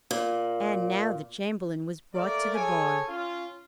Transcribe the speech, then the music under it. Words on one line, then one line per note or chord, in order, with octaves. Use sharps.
And now the Chamberlain was brought to the bar.
A#2
A3 A#3 A#4 D5
G#4 A4 C#5 G#5
C#4 F4